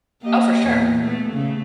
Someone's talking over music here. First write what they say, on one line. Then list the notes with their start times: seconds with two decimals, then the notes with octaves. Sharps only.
Oh, for sure.
0.21 A#3 G4 D#5
0.64 E2 A#2
1.01 A3 B3
1.32 C#3 A3